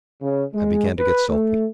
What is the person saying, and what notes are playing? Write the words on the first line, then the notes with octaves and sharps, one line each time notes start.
I began to get sulky.
C#3
G#3
B4
A3